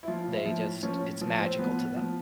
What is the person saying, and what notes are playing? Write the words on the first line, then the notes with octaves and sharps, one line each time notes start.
they just it's magical to them,
E4
F3 F4
A2
E4
F3
A2
F3 C#4
A2
F3
A2 C4
F3 B3
A2
F3